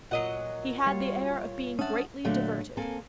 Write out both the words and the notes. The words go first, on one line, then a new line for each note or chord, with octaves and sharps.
He had the air of being greatly diverted.
A#2 F#3 D#5 F#5
G3 F4 C#5
C#4 D4 E5 F#5 A5 D#6
A#2 D3 F#3 A3
A#3 C4 A4 G#5